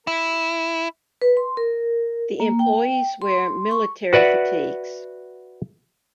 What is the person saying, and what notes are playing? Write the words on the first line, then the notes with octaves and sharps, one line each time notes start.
The employees wear military fatigues.
E4
B4
C6
A#4
A#3
G5
C6
C#6
F#4 B4 D5 E5 F#5